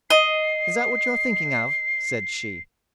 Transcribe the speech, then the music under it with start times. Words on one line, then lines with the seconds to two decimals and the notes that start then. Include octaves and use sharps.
Is that what you're thinking of?' said she.
0.10 D#5 C7